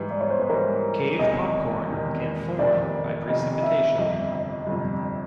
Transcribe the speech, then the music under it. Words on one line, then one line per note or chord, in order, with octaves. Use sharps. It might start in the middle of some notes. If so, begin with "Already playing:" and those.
Cave popcorn can form by precipitation.
Already playing: G#2 E3 G3 B4
D5
C#5
C5
B4
G#2 E3 G3 A#4
E1 E2 C3 D#3 D#5
E1 E2 C3 D#3
F1 F2 C3 D#3 D5
F1 F2 C3 D#3 D#5
E5
G1 F2 C3 D#5
D#5
G1 F2 C3